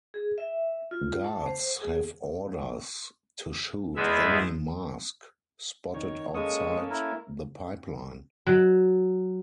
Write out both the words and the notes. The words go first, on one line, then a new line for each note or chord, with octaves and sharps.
Guards have orders to shoot any "mask" spotted outside the Pipeline.
G#4
E5
F4
A5
C5
G#4
E2 G#3 B3 E5
D#3 C#5
G#3 A#3 C#4 A4 C#6 D#6
E4 A#4
F#3